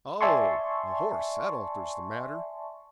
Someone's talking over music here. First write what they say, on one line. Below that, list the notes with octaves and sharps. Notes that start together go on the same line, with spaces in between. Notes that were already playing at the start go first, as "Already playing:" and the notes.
'Oh! a horse; that alters the matter.
D5 E5 G#5 A5 C6 C#6